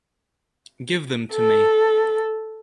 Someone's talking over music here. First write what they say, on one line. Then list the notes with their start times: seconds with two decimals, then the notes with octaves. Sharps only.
Give them to me.
1.32 A4